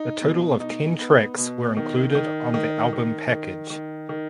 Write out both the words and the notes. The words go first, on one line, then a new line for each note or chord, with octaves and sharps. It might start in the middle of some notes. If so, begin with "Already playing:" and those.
A total of ten tracks were included on the album package.
Already playing: D#4
B2
D#4
B3
B2
D#3
D#3
D#3
D#3
D#3
D#3
D#3